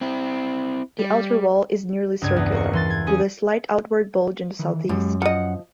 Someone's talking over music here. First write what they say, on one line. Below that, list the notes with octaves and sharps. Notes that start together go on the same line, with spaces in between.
The outer wall is nearly circular, with a slight outward bulge in the southeast.
C4 E4
G3
C#2 G2 G#6
E2
A#3 C#6
E3 C6 A6
G#6
C#4 G#4
D#3 E3
F#2 G#3 G4
F3 D#5 F#5